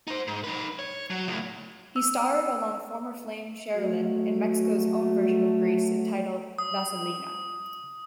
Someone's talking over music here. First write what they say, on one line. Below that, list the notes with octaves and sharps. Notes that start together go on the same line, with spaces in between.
He starred along former flame Sherlyn in Mexico's own version of Grease entitled "Vaselina".
D#4 C5
G#2
D#4 B4
C#5
F#3
C#2 A2
E6
F#3 A3 F#4
D#6